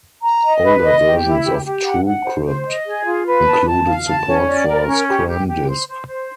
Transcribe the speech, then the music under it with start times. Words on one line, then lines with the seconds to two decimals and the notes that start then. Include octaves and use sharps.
Older versions of TrueCrypt included support for ScramDisk.
0.23 A#5
0.44 D#5
0.63 B4
0.83 D#5
1.04 G4
1.24 E4
1.44 G4
1.65 G4
1.85 F#5
2.05 F#5
2.24 C5
2.45 C5
2.65 D#5
2.85 G#4
3.05 F4
3.25 B4
3.46 A5
3.65 A5
3.87 F5
4.06 A5
4.27 C#4
4.47 D5
4.67 A#4
4.88 C#4
5.08 G4
5.27 G4
5.48 G4
5.67 C5
5.88 C5
6.07 C5